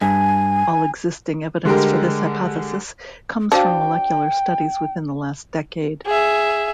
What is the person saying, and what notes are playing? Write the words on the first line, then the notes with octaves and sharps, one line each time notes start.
All existing evidence for this hypothesis comes from molecular studies within the last decade.
G2 G#5
D3 G3 G#3 G4 A#4
D4 F#4 C5 F5 G5
G#4 E5